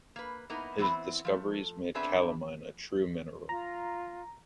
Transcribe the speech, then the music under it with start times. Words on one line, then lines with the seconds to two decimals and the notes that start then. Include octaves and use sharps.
His discoveries made calamine a true mineral.
0.16 A#3 B4
0.50 A#3 B3 D#4 E4 A#4
0.79 E3 B3 C4 E4
1.25 F3 A3
1.95 B3 C4 D4 G#4 B4 E5
3.49 F4 A#5